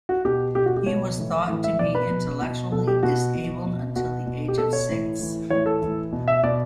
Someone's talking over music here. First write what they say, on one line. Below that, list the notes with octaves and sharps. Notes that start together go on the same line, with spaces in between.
He was thought to be intellectually disabled until the age of six.
F#4
B2 G4
B2 G4
F#4
G4
B2 C#5
A2 E3
A2 E3
E5
B2 D5
B4
B2
B2
B2 A4
G4
B2 F#4
B2
B2
B2 F#4
B2
G4
B2 A4
C#5
A2 E3
A2 E3
A2 E3 C#5
A4
A2 E3
B2
E5
B2 D5